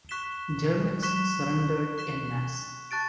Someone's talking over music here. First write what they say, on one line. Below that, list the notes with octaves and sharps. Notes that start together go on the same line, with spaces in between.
Germans surrendered en masse.
C#6 F#6 B6 E7 G7
C#6 F#6 B6 E7 G7
C#6 F#6 B6 E7 G7
A5 C#6 F#6 A6 D7